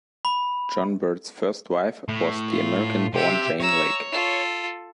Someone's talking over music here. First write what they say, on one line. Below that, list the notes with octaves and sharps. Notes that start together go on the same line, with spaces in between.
John Birt's first wife was the American-born Jane Lake.
B5
A2
F4
C3 G4 E5
C#5 A#5 E6
F4 A4